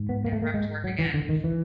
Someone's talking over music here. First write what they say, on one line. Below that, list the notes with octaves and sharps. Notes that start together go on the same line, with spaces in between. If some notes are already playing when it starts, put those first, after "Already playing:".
Never have to work again.
Already playing: G#2
B3
A#3
A3
A#3
G#3
F#3
E3
D3
D#3
E3